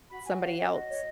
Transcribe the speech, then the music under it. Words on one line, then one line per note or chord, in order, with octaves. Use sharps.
somebody else
F#4 B5
F#4 G#5
C#5 F5
F#4 C#5
F#4 D#5
C#5